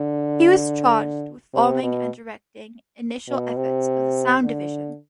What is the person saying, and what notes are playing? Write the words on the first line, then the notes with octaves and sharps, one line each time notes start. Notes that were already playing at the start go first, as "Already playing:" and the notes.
He was charged with forming and directing initial efforts of the Sound Division.
Already playing: D3
C3
B2
B2
C3
D3